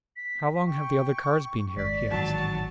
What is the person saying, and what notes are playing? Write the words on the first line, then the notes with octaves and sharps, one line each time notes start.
"How long have the other cars been here?" he asked.
B6
G5 C#6
G#1 G#3 D5 B6
A1 G#2 D#3 F#3 A5 A6